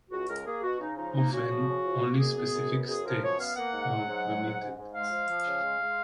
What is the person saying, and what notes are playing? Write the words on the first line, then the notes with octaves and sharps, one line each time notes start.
Often, only specific states are permitted.
C#2 F#4
C#2 A#4
A#3 G#4
B2 F#4
C#3 D#4
F3 D#4
A#3 D#4
C#3 F#4
F3
C#3
F3
A#3
F#2 G#4
B3
F#2
B3
F#2 G#4
F3 A#4
F#2 C#5
B3 F5
A#3 F#5
G#2
F#3
G#2
F#3
G#2
G#2
G#2
G#3 F5
F3
F3
C#3
G#3
G#3